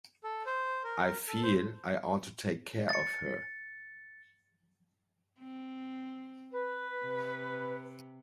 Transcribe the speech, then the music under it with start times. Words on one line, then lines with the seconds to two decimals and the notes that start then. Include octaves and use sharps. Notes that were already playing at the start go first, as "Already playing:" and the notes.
I feel I ought to take care of her.
0.24 A4
0.46 C5
0.84 A#4
1.28 A4
1.43 C5
2.89 A6 C#7
5.40 C4
6.53 B4
7.05 C3